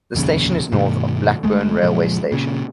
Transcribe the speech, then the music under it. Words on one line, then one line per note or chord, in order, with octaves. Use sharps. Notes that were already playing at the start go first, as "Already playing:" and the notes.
The station is north of Blackburn railway station.
F1 A#1 D#2 C#3
G2 B2 D#3 A3
G1 G2 G#3 A3
F#1 A#2 F3 G#3
A#2 C#3